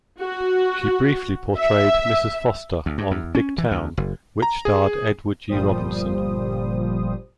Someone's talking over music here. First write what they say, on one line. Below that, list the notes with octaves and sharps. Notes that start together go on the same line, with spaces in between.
She briefly portrayed Mrs. Foster on "Big Town", which starred Edward G. Robinson.
F#4
E5
D2
G2
E2
C#4
E3
D2
F#1
A#5
G#4
G1 A#2 F3 G3 C5 D#6